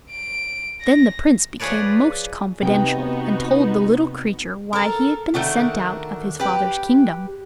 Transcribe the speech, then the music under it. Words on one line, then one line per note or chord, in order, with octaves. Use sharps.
Then the Prince became most confidential and told the little creature why he had been sent out of his father's kingdom.
D7
A#6
F3 G#4 B4 C#5 D5
C3 B3 D#4 F#4 G5
A4 A#4
D#3 A3 D4 F#4
G4 B4